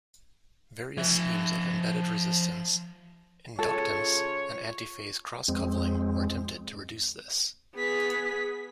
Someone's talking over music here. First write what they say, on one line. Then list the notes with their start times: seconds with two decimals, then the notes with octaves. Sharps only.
Various schemes of embedded resistance, inductance and antiphase cross-coupling were attempted to reduce this.
0.97 F3 E5
3.59 C#3 F4 A4 C#5
5.48 F2 G#3 C4
7.75 B3 G#4 B6